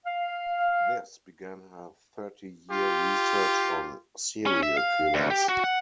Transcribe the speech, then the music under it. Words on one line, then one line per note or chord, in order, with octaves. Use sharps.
This began her thirty-year research on serial killers.
F5
F4 G4
C#4
E5
F5
D2
G4
F#4
F#5